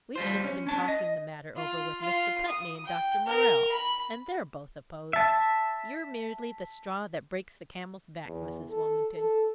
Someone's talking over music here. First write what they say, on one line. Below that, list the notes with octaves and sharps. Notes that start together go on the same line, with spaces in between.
"We've just been talking the matter over with Mr. Putney and Dr. Morrell, and they're both opposed. You're merely the straw that breaks the camel's back, Mrs. Wilmington."
G3 F4 C5
C#4
C#4 A5
D#5
F4
F4
D#6
G5
A#4
B5
E5 A5
E2
A4
A4